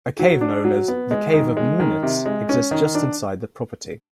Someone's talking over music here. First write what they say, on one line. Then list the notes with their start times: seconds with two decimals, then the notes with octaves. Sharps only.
A cave known as "The Cave of Munits" exists just inside the property.
0.19 F#3
0.41 D4
0.65 F#3
0.88 B3
1.11 G#3
1.34 D#3
1.57 G#3
1.80 D#3
2.03 C3
2.26 G#3
2.49 C#4
2.71 D#3
2.95 D4